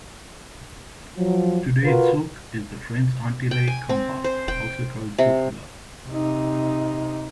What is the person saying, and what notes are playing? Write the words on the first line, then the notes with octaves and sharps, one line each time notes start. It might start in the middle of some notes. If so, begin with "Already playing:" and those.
Today, zouk is the French Antilles compas, also called zouk-love.
F3 F#3
F4 F#4 A#4 B4
G5
G#5
C4
C5
G5
C3
C3 D#4